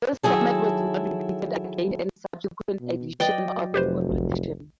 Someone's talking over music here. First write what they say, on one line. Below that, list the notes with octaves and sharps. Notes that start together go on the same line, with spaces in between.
This format was not repeated again in subsequent editions of the competition.
D#3 F#3 E4 G#4 A4
B2
F#3 B4 D5 D#5 G5
F1 G4 B4 C5
A1 D2